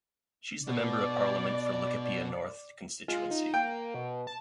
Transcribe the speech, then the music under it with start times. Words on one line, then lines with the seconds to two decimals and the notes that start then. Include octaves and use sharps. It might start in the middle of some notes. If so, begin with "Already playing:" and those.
She is the member of parliament for Laikipia North constituency.
0.68 B2 B3 D5
3.08 G#3 F4
3.31 D#4
3.54 A#3 G5
3.94 B2
4.27 A5